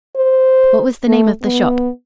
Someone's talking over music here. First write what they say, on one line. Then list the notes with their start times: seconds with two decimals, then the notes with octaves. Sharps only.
"What was the name of the shop?"
0.17 C5
1.07 A3
1.43 B3